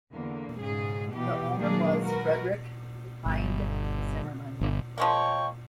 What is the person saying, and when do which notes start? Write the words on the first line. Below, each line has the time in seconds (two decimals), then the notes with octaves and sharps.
The owner was Frederick Hinde Zimmerman.
0.12 E2 D3 A#3
0.59 G#2 C#3 G#4
1.12 B2 E3 G4
1.60 D#3 F#3 G#3 A#3 D4 G#4
2.04 F#4 A#4 B4
3.26 G1
4.61 G1
4.98 F3 G#3 A#3 C#5 G5 C#6